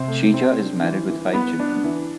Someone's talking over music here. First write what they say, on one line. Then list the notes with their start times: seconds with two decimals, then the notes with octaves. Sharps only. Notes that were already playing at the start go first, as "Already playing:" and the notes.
Shija is married with five children.
Already playing: C3 C4 C5
0.08 A3
0.34 C4
0.59 D4
0.83 E3
1.09 E3
1.33 B3 B4
1.60 D4
1.84 E3